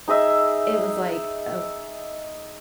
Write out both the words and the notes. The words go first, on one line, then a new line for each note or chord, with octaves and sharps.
it was like, ok
D#4 G#4 D#5 E5